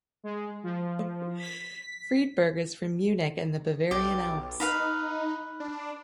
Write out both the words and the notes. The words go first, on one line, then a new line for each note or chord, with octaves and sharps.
Friedberg is from Munich and the Bavarian Alps.
G#3
F3
B6
B1 G4 D5
D#4 B4 F5 B5
D4